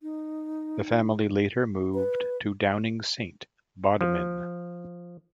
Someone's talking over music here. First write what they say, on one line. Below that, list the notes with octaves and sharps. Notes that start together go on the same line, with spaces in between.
The family later moved to Downing Saint, Bodmin.
D#4
B4
F3